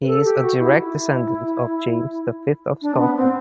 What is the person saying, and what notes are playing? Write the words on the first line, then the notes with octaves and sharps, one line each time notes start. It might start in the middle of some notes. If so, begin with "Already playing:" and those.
He is a direct descendant of James the Fifth of Scotland.
B4
A4
G4
F#4
E4
E4
D4
C4
B3
C4